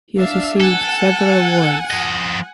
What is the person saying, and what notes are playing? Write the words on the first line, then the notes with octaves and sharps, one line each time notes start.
He has received several awards.
D4 E5 F5
A4 F#5 G#5
F3 D#5